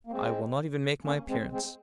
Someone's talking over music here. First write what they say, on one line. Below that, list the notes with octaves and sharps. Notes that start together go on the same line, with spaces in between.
"I will not even make my appearance."
A#3
G#3 C4
A#3 C#4
G#3 C4
G#3 C4